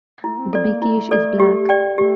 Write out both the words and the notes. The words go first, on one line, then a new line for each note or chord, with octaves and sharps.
The "Bekishe" is black.
A3 E4
C4
C4 A4 D5
A#3
A3 E4
A4 D5
G4
D5 G5
A3 G4